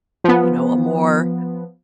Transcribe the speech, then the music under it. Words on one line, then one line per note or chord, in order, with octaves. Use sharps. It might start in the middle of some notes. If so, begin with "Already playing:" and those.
you know, a more
F3 B3